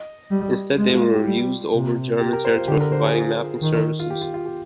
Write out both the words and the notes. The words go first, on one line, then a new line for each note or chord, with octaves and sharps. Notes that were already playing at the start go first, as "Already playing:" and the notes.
Instead they were used over German territory providing mapping services.
Already playing: D#5
G3
G#3
F4
F4
G4
G3
C3
G4
A#4
C5
F4
D3 G4
A#4
C5
G#4
F4
D#3
F4
G4
F4
F4
G4